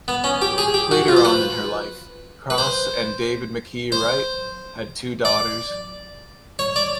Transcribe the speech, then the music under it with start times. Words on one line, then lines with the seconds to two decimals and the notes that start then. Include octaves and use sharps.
Later on in her life, Cross and David McKee Wright had two daughters.
0.08 B3
0.24 C#4
0.42 G4
0.58 G#4
0.74 G4
0.91 F#4
1.08 F4
1.16 C5
1.25 B4
2.50 B4
2.58 C5
3.92 C5
5.25 D5
6.59 C#5
6.76 D5